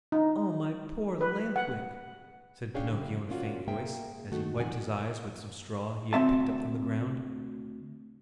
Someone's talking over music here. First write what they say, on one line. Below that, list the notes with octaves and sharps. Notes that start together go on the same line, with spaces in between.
"Oh, my poor Lamp-Wick," said Pinocchio in a faint voice, as he wiped his eyes with some straw he had picked up from the ground.
D#4
B4
F#5
C#4 D4 G#4 C#5 F5 G5
F#2 C#3
A#3 C#4 D4 F4 F#4
A#3 G#4 E5 G5
D#3 A3 F#4
F2 A#2 D#3 F#5 G#5
D2 C4 E5 A5